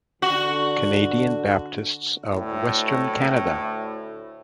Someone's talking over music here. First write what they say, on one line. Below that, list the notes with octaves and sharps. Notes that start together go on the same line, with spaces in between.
Canadian Baptists of Western Canada.
D3 F#4
D2 A2